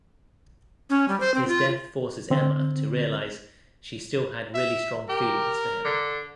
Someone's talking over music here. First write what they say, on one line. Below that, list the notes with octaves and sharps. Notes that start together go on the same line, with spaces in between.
His death forces Emma to realise "she still had really strong feelings for him".
C#4
G3
C5
C4
F4
D3 C4
E5
G4 A#4
D3